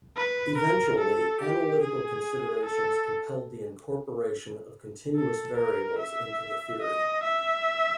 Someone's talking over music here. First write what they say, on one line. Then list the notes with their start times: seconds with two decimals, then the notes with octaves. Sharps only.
Eventually, analytical considerations compelled the incorporation of continuous variables into the theory.
0.17 B4
0.58 A#4
1.00 A4
1.41 G4
1.83 G#4
2.66 A4
5.16 A4
5.57 A#4
5.99 E5
6.82 D#5
7.24 E5